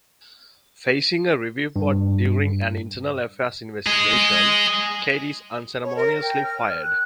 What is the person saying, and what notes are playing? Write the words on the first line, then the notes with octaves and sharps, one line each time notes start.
Facing a review board during an Internal Affairs investigation, Kate is unceremoniously fired.
G2
G#4 D#5
C#5
A#4
G5
F6
F#6